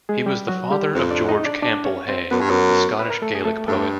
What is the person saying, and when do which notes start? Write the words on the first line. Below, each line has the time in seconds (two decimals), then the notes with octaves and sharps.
He was the father of George Campbell Hay, the Scottish Gaelic poet.
0.09 G#3 G#4
0.26 G3 G4
0.48 F#3 F#4
0.71 G3 G4
0.94 F2 C4 C5
1.11 D4 D5
1.28 D#4 D#5
1.45 D4 D5
1.62 D4 D5
1.85 C#4 C#5
2.08 C4 C5
2.31 F#2 B3 B4
2.41 G2
2.50 F#2
2.99 B4
3.10 A#4
3.22 A3 A4
3.35 G#4
3.45 A3 A4
3.68 G2 A3 A4